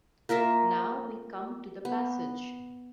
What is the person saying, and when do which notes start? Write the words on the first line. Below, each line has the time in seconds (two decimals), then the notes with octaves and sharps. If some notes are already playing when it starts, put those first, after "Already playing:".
Now we come to the passage.
0.29 A#3 F4 A#4 E5
1.85 B3